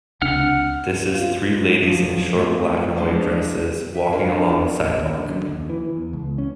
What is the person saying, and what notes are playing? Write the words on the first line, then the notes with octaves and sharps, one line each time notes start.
This is three ladies in short black and white dresses walking along the sidewalk.
C#2 C3 D4 F#5 F6
C4 F4
G#3
D2 G#2 F3 F#3
A3 B3 C4 F4
F3 G3 G#3 B3 D4
E5
G#3 C#4 D4 A#4 F5
A1
D#2
D3
F#2
D#2
E3
E2
C#2
C#4